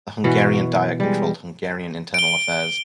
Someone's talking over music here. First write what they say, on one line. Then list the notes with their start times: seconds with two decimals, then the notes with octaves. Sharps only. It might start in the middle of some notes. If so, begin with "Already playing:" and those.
The Hungarian Diet controlled Hungarian internal affairs.
0.24 B2 E3 F#4 C#5
1.00 G3 G#3
2.14 D7 G7